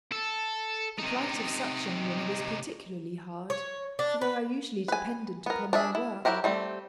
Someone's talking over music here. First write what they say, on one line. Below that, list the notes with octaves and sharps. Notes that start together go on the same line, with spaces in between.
The plight of such young women is particularly hard, for they are usually dependent upon their work.
A4
C3 D#4
C#5
D4
B4
B4 G#5
B3 A#4
D4 G#4 E5
E4
F#3 C4 E4 G4 A#4
G3 A3 C4